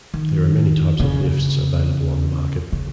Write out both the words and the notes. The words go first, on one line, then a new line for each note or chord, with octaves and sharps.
There are many types of lifts available on the market.
D#3
C#3
C#3